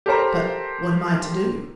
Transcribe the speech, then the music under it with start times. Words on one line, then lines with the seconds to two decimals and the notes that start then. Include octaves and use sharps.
But--what am I to do?
0.06 G4 A4 A#4 C5 A#5